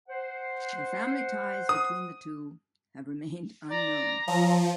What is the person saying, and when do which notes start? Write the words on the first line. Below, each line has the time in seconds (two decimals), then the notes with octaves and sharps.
The family ties between the two have remained unknown.
0.09 C5 F#5
1.69 D#6
3.70 D5 A#5
4.28 F3 F#3